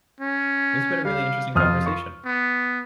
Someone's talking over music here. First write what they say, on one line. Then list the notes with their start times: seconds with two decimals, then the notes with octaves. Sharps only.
It's been a really interesting conversation.
0.21 C#4
1.05 G3 F5
1.55 F2 F4 D#6 F6
1.86 C#6
2.26 B3